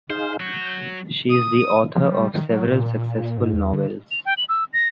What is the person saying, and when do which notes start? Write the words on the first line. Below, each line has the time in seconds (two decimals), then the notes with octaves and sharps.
She’s the author of several successful novels.
0.10 D#4 G#4 C5 F5
0.40 F#3 F#4 G6
1.30 D#6
1.95 F3
2.12 G3
2.34 D#3
2.49 F#3
2.67 A#2
3.38 G#2
3.53 E2
3.73 D3
4.11 F7
4.25 G5
4.37 F#7
4.49 E6
4.73 A#6